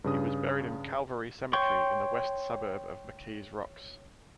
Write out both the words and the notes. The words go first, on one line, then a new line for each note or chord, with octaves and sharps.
He was buried in Calvary Cemetery in the west suburb of McKees Rocks.
G2 C#3 D#6
C#5 G5 C6 C#6